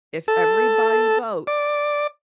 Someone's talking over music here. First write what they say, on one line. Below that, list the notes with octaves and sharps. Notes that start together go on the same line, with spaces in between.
"If everybody votes"
A4
D5